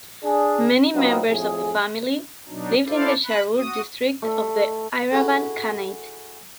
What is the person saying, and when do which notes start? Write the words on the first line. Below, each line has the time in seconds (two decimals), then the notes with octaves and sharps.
Many members of the family lived in the Sharur District of the Iravan Khanate.
0.24 D4 G#4
0.95 F#3 B3 C4 D#4 F4
1.31 F2 A2 G#4
2.48 B2 F#3 D4 D#4
2.87 D4 E4 A4 C5 D5 F5
3.23 B5 F#6
3.55 F#4 D#6
4.22 A3
5.11 E4 F#4 G#4 A4